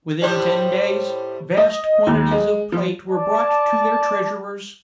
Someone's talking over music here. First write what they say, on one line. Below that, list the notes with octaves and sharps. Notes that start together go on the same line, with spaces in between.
Within ten days, vast quantities of plate were brought to their treasurers.
A2 G3 C5
D#5
D#2
G#3
F3
D5 A5